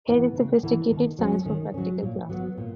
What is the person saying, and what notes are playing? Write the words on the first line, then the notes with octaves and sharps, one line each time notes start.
Here is sophisticated science for practical classes.
E3 B3
C#3
E3 B3
D#3
F#3 C#4
D#3
F#3 C#4
A#2
F#3 B3
A#2